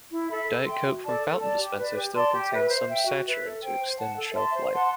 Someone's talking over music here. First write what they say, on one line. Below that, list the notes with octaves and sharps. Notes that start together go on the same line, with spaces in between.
Diet Coke from fountain dispensers still contains some saccharin to extend shelf life.
E4
A4 E5 B5
A4
E5 G5 C6
F#4
A4 D5 A5
A4
D5 A5
G4
B4 D5
G4
D5 A5 C6
G4
B4 E5
C5
E5 G5
F#4
B4 E5
A4
C5 G5
C5
F#5 A5
A4
E5 A5 C6
C5
F#5 A5 C6